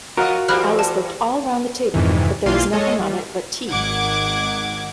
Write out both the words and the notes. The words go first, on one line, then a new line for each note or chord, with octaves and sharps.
Alice looked all round the table, but there was nothing on it but tea.
F3 F4 F#4 A#4 D#5
E3 G3 C4 B5 F6 F#6
A5
F2 G#2 C3 D#3 E3
B1 E3 A#3 F4 F5 C6
G#3 A4 C#5 D#5
G3
G#1 D#3 F#5 D6 G#6